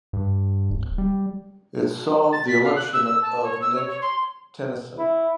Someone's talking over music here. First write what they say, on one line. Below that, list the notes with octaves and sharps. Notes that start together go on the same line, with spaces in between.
It saw the election of Nick Tennyson.
G2
D1
G3
A6
B6
F5
F#6
E6
E6
A5
C#5
E6
C#5
C#5
C6
E4